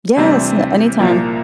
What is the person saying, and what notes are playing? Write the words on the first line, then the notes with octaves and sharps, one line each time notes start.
Yes. Na anytime.
D2 C3 E3 G3 C4
C2 A#2 F3 A#3